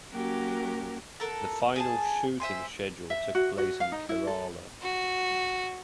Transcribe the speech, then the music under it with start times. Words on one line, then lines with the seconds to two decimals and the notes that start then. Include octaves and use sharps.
The final shooting schedule took place in Kerala.
0.10 F#3 A#3 C#4 F#4 G4 A#4
1.20 A4 A#4 F#5
1.76 G#4 G#5 A5
2.40 C5 E5 G#5 C6
3.10 E5
3.35 F#4
3.58 F#4
3.80 F5
3.92 D#4
4.09 E4
4.27 A4
4.82 F#4